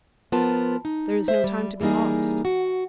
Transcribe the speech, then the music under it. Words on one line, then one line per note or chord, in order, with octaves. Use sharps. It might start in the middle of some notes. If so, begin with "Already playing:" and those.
"There is no time to be lost."
F3 B3 F4 A#4 A5
D#4
C5 E5
G3
E3 G3 A#3 D#4 G#4
F#4